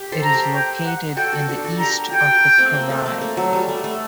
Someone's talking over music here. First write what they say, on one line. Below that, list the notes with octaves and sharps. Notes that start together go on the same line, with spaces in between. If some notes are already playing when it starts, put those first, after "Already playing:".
It is located in the east of the krai.
Already playing: G4
A4 C5
A#5
G4 A#4
G5
F#5
F#4 A4 G5
F#4 A4
D4 F#4
F#4 A4
G4 A#4 A#5
F#4 A4 G5
A3 C4
A#3
A3
A#3
A3
F#3
G3
A3
A3